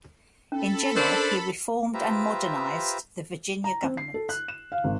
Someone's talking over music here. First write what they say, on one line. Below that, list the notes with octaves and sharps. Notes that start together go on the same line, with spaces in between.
In general, he reformed and modernized the Virginia government.
C#4 A4 B5
D4 A#4 C5
F4 G4 B4 C5 E5 A#5
A#5
C4
C7
A4
F#6
E7
F5
G#1